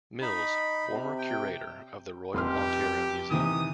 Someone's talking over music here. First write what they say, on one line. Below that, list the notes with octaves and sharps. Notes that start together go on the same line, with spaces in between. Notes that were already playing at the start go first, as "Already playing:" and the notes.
Mills, former curator at the Royal Ontario Museum.
D#4 B5
C3
G5
F1 G4 C6 F6
C3 D#3 E3 D#6